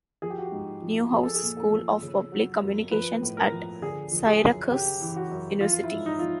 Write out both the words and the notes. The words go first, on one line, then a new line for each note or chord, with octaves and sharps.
Newhouse School of Public Communications at Syracuse University.
F3 G#4
G4
F#4
G4
G#2
F3
F3 G#4
A4
G#4
A#2
A4
F3
C#3
F#3
F#2
F3 B4
A2
A#4
F3
D3 G#4
F3
G#4
F#2
C#3 G4
E3
F#4
F#2
F3 F4
E4
G#2
D#4
F3 F4